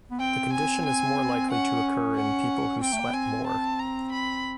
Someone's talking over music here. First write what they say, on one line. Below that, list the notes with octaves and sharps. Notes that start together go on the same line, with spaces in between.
The condition is more likely to occur in people who sweat more.
B3
C4 G5
G#5
G#5
C#4 F#5
F#5
C4 G5
A3
A#3
B3
C4 G#5
A5
A#5
B5